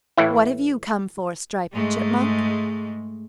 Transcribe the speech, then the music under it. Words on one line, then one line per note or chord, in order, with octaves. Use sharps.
"What have you come for, Striped Chipmunk?"
A2 E3 E4
G#2 G#3 A3